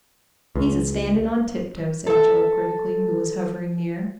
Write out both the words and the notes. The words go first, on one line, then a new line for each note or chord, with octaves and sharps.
"He's a-standin' on tip-toe," said Joel critically, who was hovering near.
C#2
A4 E5